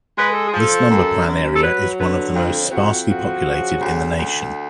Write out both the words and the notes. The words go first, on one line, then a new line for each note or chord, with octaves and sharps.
This number plan area is one of the most sparsely populated in the nation.
G#3 B4
A4
G#4
F3 A4
F#2
F#2
A4
F#3 B4
D3 B4
F2
F2 F#4
F3 F#4
C#3
D2
D2